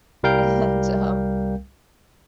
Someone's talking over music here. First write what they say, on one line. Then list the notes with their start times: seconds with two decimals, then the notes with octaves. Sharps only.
and, um
0.23 C2 G3 A#4 F5 G5 G6